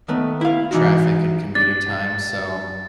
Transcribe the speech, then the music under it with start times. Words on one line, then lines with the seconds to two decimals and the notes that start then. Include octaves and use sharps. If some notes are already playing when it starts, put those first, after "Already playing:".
traffic and commuting time, so
0.08 D#3 A3 B3
0.41 E4 F5
0.71 E3 D#4 F#4
1.55 D4 A6